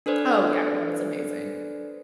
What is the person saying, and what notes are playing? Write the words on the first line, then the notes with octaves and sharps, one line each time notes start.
Oh yeah, no, it's amazing.
D4 A4 B4 C5 D5